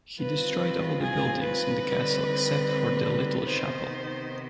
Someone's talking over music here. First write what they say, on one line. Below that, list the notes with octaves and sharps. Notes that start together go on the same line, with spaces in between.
He destroyed all the buildings in the castle, except for the little chapel.
D#3 G3 C4 F4 B4
G#4
B4
D3 G3 C4 D#4
C3 D#3 B3 D#4 C5